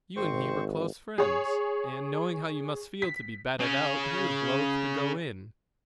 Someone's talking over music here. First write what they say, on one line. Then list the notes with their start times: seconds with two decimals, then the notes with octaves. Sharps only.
You and he were close friends, and, knowing how you must feel to be batted out, he was loath to go in.
0.16 G#1 C4 C5 C#6
1.18 G#4 C#5
3.02 B6
3.60 C#3 C#4